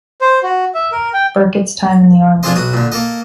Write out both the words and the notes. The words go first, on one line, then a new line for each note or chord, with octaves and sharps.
Burkett's time in the Army.
C5
F#4
E5
A#4
G5
D4 F4 G#4 A4 C5 D#5
B1 F#4 D#6
A#2 D3
A#3 A4 D#5